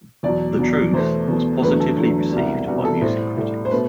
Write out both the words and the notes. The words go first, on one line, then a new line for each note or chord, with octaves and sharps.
"The Truth" was positively received by music critics.
E2 B2 F#3 D5
E2 B2 F#3
E2 B2 A3 C5
E2 B2 A3
E2 D3 F#3 A3 B4
A4
E2 D3 F#3 A3
C2 B2 G3
C2 B2 G3 F#4
A4
A2 G3 C5
A2 G3
C5
B2 A3 B4